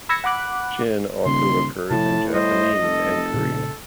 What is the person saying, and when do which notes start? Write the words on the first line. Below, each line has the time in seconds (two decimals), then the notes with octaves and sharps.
"Jin" also occurs in Japanese and Korean.
0.09 B5 E6 G#6 A#6 C#7
0.24 F#5 B5 D6 F#6
1.26 D#1 C#3 C6
1.91 A2 C3 F3 A5
2.34 A2 G3 C5 D#5
2.82 F1 A4
3.34 A#2 C#3